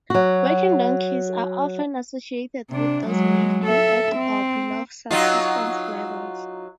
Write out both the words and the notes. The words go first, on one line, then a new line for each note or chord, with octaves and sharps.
Working donkeys are often associated with those living at or below subsistence levels.
F#3 F#4
C3 D4
F#3 G#3
A4 E5
C4
F#3 D#4 F4